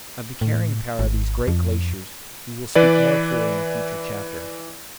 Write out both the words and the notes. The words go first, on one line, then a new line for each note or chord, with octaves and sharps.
Of the carrying power of these great glaciers we will speak more fully in a future chapter.
A2
G#1
F2
E3 B4 D5